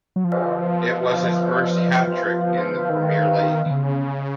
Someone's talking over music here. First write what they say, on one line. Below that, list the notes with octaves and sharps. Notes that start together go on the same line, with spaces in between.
It was his first hat-trick in the Premier League.
F#3
F3
F3
F3
D#3
D#3
C#3